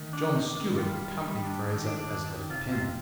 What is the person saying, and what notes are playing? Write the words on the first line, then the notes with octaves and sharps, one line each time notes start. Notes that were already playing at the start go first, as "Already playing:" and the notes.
John Stuart accompanied Fraser as lieutenant.
Already playing: D#3 A3
D4
D#3
D#3
G3 F4
D#3
G3
D4
D#3
D4
D#3
D#3
C3 F4
C3 F4